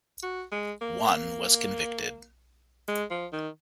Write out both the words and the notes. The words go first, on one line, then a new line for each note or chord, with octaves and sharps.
One was convicted.
F#4
G#3
A#3
G#3
F3
D#3